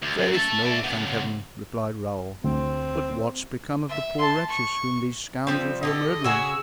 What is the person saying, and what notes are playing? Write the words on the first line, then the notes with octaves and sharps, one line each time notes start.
"Faith, no, thank Heaven!" replied Raoul; "but what has become of the poor wretches whom these scoundrels were murdering?"
D2
F#2
E5 A5
D5 E5
C#3 B3
D2 C4
E5
A5 C6
C#6
F3 G3 C4
D3 G4 A4 D#5
C#3 F#4 G#4 E6